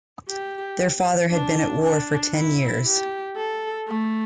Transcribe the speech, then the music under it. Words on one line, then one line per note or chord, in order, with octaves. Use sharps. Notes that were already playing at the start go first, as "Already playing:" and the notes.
Their father has been at war for ten years.
G4
D4
D4
E4
G4
A4
A3